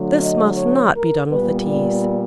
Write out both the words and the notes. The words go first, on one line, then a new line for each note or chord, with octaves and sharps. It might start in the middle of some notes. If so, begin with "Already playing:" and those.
This must not be done with the Teas.
Already playing: D3 F#3 A3
D#5
C#5
A#4
A#2 G3 B3 B4
D5